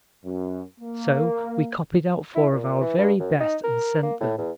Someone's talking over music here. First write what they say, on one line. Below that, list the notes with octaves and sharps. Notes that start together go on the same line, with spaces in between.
So we copied out four of our very best and sent them.
F#2
A#3
E4
A#2
E3
G2
F#2
D#4
A#4
A#3
A2
E2